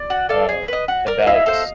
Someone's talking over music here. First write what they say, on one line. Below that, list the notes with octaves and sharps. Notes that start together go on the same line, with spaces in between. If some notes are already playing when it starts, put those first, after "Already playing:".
um, about
Already playing: D5
F#4
A4 D5 F5
G#4
B4 D#5
F#4
A#4 D5
E4 D#5 F5
A4 C5